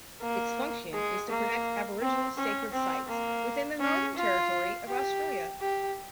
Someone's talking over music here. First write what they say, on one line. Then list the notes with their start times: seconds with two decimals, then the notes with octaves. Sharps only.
Its function is to protect Aboriginal sacred sites within the Northern Territory of Australia.
0.22 A#3
0.94 G#3
1.30 A#3
2.02 C4
2.38 C#4
2.73 C4
3.09 A#3
3.80 C#4
4.17 F4
4.89 G4
5.61 G4